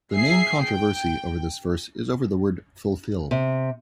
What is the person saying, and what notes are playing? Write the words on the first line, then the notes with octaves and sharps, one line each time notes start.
The main controversy over this verse is over the word fulfill.
G#4 E5 C7
G5
C3